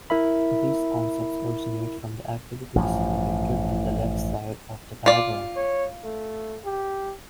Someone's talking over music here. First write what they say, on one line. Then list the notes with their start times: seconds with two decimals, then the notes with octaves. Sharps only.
These concepts originate from the activities depicted in the left side of the diagram.
0.10 E4 A#4 E5 B5
2.75 A1 G2 F3
5.06 F4 D5
5.56 C#5
6.04 A3
6.65 G4